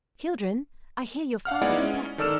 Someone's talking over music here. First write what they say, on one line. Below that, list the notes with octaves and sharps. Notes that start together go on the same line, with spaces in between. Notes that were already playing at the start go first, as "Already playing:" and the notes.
'Children, I hear your father's step.
F5 F#5 F6
G#3 B3 D#4 E4 D5 F#5
C#4
D#3 A4 D5 E6 F6 E7